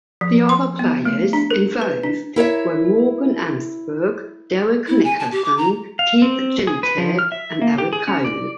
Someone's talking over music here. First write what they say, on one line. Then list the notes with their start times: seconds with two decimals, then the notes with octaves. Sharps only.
The other players involved were Morgan Ensberg, Derrek Nicholson, Keith Ginter, and Eric Cole.
0.21 F3
0.49 C6
0.79 B3
1.05 A3
1.33 D4
1.51 A#4
1.81 B4
2.03 D4
2.36 E4 A#4 C#5 E5
4.88 E4
5.04 G#5
5.19 A5
5.32 G4
5.45 D6
5.58 A#5
5.99 F5
6.22 C4
6.67 G#4
6.83 B4
6.98 F3
7.19 F6
7.32 E5
7.62 A#3
7.78 G4
7.93 G#4
8.08 C#4
8.25 D5